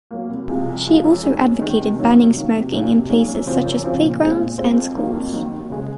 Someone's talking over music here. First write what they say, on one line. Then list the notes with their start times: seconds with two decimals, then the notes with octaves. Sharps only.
She also advocated banning smoking in places such as playgrounds and schools.
0.11 F#3 A#3
0.29 C2
0.49 C3 F3 G#3
0.66 C2
0.86 C3 F3 G#3
1.04 F#2
1.23 D#3 G#3 D#4
1.41 F#2
1.59 D#3 G#3 D#4
1.78 C3
1.97 D#3 F#3 A#3
2.15 C3
2.34 D#3 F#3 A#3
2.53 C3
2.72 F#3 A#3 D#4 G#4
2.90 C3
3.09 F#3 A#3 D#4 G#4
3.28 F#2
3.46 C#3 F3 C4
3.65 F#2
3.83 C#3 F3 C4
4.02 A#2
4.21 G#3 C4 F4 G#4
4.39 A#2
4.58 G#3 C4 F4 G#4
4.77 F2
4.95 D#3 F#3 A#3 D#4
5.13 F2
5.33 D#3 F#3 A#3 D#4
5.51 D#2
5.70 C#3 G#3